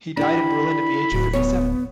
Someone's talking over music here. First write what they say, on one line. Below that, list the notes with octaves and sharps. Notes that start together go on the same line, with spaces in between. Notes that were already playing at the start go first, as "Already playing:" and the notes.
He died in Berlin at the age of fifty-seven.
D4 E4 G4 B5
D1 F#4
B3 C#5